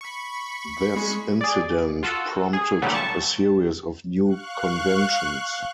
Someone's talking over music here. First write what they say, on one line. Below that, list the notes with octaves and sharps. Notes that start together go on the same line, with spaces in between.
This incident prompted a series of new conventions.
B5 C#6
G#3
G#4 D5
F4 F#4 A4
G#4
A#2 D3 E3 F#3 G3 A3
A5 C#6
F5 C#6 F#6